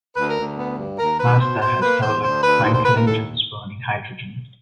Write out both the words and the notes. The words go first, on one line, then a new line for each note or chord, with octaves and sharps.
Mazda has developed Wankel engines burning hydrogen.
D2 B4
A#4
D2
B3
G2
D#2 A#4
D#2 B4
B2 C5
B2 C5
A#3 B4
E2 C5
D2 C5
D2 B4
D#2 C5
C5
D#2 B4
A#4
A2 A4